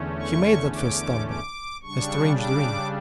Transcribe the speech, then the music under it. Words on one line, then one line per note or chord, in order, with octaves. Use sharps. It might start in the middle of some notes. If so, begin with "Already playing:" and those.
He made that first stumble, a strange dream.
Already playing: E2 D3 A3 C#4
C#6
D6
D6
C#3 G3 D4 C#6
D6